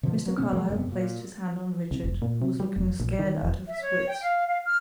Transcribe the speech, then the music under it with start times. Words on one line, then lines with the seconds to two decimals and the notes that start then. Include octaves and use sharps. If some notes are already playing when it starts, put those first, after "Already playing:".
Mr. Carlyle placed his hand on Richard, who was looking scared out of his wits.
0.03 B2 D3 F3
0.26 F#3
0.38 B2 D#3 B3 C#4
0.53 C3 F3 G#3 A#3
0.69 F1 F#2 C3 B3
0.92 A#2
1.91 C2
2.04 F1
2.22 A#2
2.42 C3
2.60 G3
2.76 F1
3.00 A#1
3.19 D#3
3.43 E1
3.68 E5
3.81 C#5
4.08 G5
4.22 F5
4.46 F5
4.64 F6